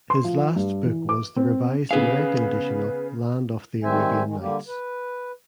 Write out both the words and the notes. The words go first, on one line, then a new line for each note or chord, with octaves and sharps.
His last book was the revised American edition of "Land of the Arabian Nights".
C6
F3
G2
E3
D6
C4
C#3 B3 G#4 B4 F5
D#3 G3 C4 C5 E5 G#5
D#3 G#3
D3 G3 A#3 G4
B4